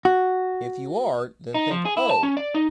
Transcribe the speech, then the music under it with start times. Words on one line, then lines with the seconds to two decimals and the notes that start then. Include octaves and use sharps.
If you are, then think Oh!
0.05 F#4
1.54 D#4
1.71 F3
1.85 G#4
1.97 E4
2.11 A5
2.23 C#4
2.37 D5
2.54 D#4